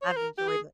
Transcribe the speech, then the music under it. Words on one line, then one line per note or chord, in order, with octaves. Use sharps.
I've enjoyed it.
C#5
C5
A#4
G4
G#4